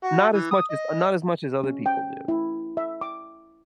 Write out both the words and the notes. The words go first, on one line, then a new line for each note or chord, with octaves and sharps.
Not as much as uh, not as much as other people do,
F#4
E3
D#6
D#5
C#4
G5
E4
E5
D6